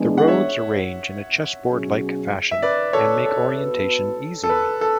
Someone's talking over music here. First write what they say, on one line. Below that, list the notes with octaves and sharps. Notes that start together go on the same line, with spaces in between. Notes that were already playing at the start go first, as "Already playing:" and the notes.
The roads arrange in a chessboard-like fashion and make orientation easy.
Already playing: E3 G#3 B3 D4 G#4
F#5
C#5 E5
B2 F#3 C#4 G#4
E5
B4 D5
A4 C#5
A4
B3 F#4 B4
A4
B4
A4